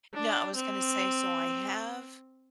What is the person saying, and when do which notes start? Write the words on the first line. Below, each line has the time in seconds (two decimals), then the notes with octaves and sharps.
No, I was gonna say, so I have
0.14 D4
0.56 C4